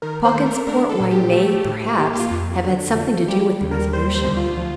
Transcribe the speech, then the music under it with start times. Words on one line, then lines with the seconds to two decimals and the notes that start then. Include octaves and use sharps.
Pawkins's port wine may, perhaps, have had something to do with the resolution.
0.02 D#3 A#4
0.25 C5
0.35 A3
0.46 A#4
0.67 D4 A#4
0.89 A4
1.00 A#2
1.11 G4
1.32 A3
1.65 A2
1.98 A#3 G4
2.13 G4
2.19 F4
2.31 F2
2.63 D3
2.95 F3
3.28 G3 G4
3.61 D#2
3.71 A#4
3.93 G3 C5
4.15 C5
4.26 D2
4.37 F4
4.57 F3